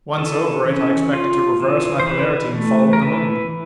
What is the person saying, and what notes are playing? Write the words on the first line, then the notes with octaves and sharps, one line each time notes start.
Once over it, I expected to reverse my polarity and fall on the moon.
E3 A4
C#4
F4
E3
C5
E3 B4
A3
A#4
E3 B4